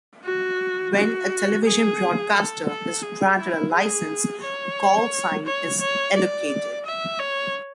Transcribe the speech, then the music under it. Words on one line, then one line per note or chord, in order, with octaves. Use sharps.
When a television broadcaster is granted a licence, a callsign is allocated.
F#4
F#4
G#4
A4
A4
G#4
E4
G#4
C#5
C#5
C#5
D5
E5
C#5